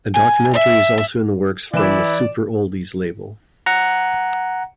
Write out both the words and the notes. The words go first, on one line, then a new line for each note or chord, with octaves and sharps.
A documentary is also in the works from the Super Oldies label.
G#5
E5
E3 E4 B4 D5 E7
F#5 A#5